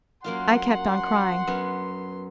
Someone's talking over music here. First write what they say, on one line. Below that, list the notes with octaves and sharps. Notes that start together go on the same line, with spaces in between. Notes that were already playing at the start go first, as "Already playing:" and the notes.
I kept on crying.
F#2 A#3 F4 F#5 C6
F#2 B3